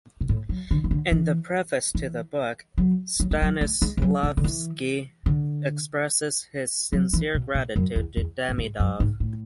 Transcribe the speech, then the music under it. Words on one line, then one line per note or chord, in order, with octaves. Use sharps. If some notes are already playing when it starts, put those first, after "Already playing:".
In the preface to the book Stanislavsky expresses his sincere gratitude to Demidov.
B2
A2
F#3
D3
E3
D3
E3
E3
F#3
F#3
G#3
F#3
A3
G#3
E3
F#3
D3
D3
E3
D3
F#3
E3
B2
B2
F#2
E2
E2
A2
G#2
F#2
G#2
A2